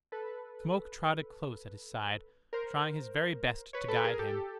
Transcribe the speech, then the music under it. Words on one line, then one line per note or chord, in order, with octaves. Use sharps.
Smoke trotted close at his side, trying his very best to guide him.
A4 B4
A#4 C5
B4 C#5
A4 B4
G#4 A#4
G4 A4